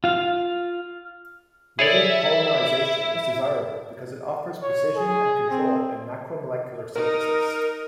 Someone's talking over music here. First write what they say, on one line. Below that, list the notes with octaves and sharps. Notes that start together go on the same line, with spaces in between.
Living polymerization is desirable because it offers precision and control in macromolecular synthesis.
F4 F5 F6
E4 G#4 C#5 D5
C#5
G#4
C4
D#4 A#4